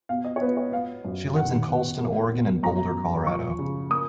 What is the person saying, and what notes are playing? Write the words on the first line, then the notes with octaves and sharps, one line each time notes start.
She lives in Colestin, Oregon and Boulder, Colorado.
B2 F5
D#5
C#5
B3 B4
C#5
B3 F5
F#2
D#3 F#5
B3
A#3
B2
F#2 A#5
F#2
F3 C#6
C#3
A#3 D#6